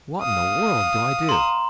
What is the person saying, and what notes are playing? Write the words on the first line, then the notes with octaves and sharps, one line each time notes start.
What in the world do I do?
F5 D#6
A#5 C6